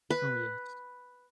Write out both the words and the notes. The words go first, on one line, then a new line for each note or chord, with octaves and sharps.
Oh, yes.
B4